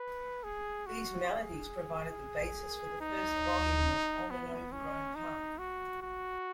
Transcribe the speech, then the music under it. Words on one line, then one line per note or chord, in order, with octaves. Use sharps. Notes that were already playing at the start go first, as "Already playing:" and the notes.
These melodies provided the basis for the first volume of "On an Overgrown Path".
Already playing: B4
G#4
F#4
G#4
D#4
B3
C#4
D#4
F#4
F#4